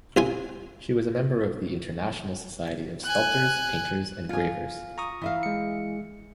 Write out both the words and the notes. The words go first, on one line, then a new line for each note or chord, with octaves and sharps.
She was a member of the International Society of Sculptors, Painters and Gravers.
C2 F4 G#5
G#5 F#6
F4 G#5
A#5 C#6 D#6
E3 E5 F5
G#3 C#7